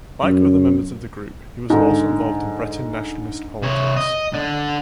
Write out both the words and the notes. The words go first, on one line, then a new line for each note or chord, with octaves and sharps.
Like other members of the group, he was also involved in Breton nationalist politics.
F#2
G#2 D3
C3 C#5
D#5
D3